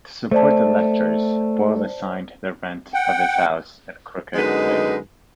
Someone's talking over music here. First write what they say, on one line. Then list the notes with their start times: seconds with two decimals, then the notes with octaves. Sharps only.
To support the lectures, Boyle assigned the rent of his house in Crooked Lane.
0.31 A3 C5 D5 A5
2.94 F#5 G5
4.35 F#2 D3 G#3 B3 D#4 B4